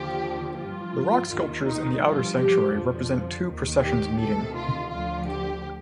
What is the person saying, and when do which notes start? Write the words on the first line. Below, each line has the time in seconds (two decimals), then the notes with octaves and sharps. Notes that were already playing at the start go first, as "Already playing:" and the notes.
The rock sculptures in the outer sanctuary represent two processions meeting.
Already playing: D#2 D3 F3 G4
0.57 G2 F3 F4
1.30 D#2 D#3
1.65 D#4
2.02 G2 F3 F4
2.38 G4
2.74 F2 D3 F3
3.46 D#2 D#3
3.82 G4
4.19 D2 C3 D#3 A4
4.54 F4
4.90 D2 D3 F3 F4
5.27 G4